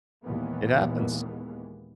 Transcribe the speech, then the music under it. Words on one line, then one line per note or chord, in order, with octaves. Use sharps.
It happens.
D#2 A#2 E3 G#3 A#3 B3